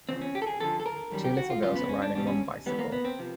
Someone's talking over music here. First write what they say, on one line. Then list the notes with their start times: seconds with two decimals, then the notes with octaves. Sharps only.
Two little girls are riding one bicycle.
0.09 E2 C#3 F3 C4
0.21 C#4
0.35 G4
0.42 A4
0.47 G#4
0.60 F2 D3 F3 A4
0.80 A4
0.86 A#4
1.11 F#2 D#3 G3
1.24 G4
1.37 F#4
1.50 F4
1.63 F#2 C#3 F3 F4
1.75 B3
1.84 C4
1.89 C#4
2.02 D4
2.14 E2 B2 G3 D4
2.27 C#4
2.66 G#2 E3 G3 B3
2.79 A#3
2.92 B3
3.05 C4
3.19 C3 F3